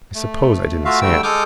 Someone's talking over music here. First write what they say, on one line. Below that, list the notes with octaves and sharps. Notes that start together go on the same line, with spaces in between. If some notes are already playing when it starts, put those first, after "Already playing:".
I suppose I did say it.
A3
A3 F4 F#4 E5 F5
D3 G3 A3 G5 E6
G#3 A4 D6 D#6 F6 G6